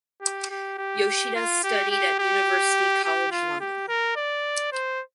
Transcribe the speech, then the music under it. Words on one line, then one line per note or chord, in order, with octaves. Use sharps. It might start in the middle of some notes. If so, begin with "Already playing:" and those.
Yoshida studied at University College London.
G4
G4
G4
F4
G4
G4
G4
G4
F4
G4
A#4
D5
C5